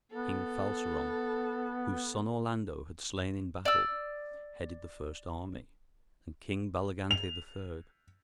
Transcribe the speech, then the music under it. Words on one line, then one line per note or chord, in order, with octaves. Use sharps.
King Falseron, whose son Orlando had slain in battle, headed the first army, and King Balugante the third.
B3 A4
D5 E6
F7